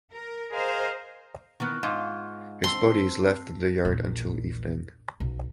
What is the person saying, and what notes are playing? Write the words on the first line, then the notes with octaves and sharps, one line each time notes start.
His body is left in the yard until evening.
A#4
G#4 A#4 C5 D#5 F5
D#3 E3 B3 C#6 F6 F#6
G#2 F4
C4 A5 C6 E6
A#1 E2
B1